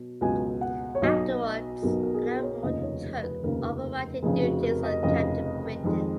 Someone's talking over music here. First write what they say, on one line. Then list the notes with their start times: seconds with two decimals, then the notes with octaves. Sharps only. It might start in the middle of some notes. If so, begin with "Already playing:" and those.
Afterwards, Alan Moore took over writing duties on "Captain Britain".
Already playing: B2 F#3
0.21 C#2 B2 F#3 G#5
0.61 F#5
0.95 C#5
1.02 B1 B2 F#3 D#5
1.82 B1 B2 F#3 A#4
2.03 A#4
2.14 G#4
2.23 A#4
2.43 C#5
2.63 F1 D#2 C#3 F3 D#5
2.82 C#5
3.23 B4
3.43 F1 D#2 C#3 F3 A#4
4.23 F1 F2 C#3 G#4
4.43 F#4
4.63 A#4
4.83 D#5
5.03 F1 F2 C#3 D#5
5.84 F2 D#3 G#3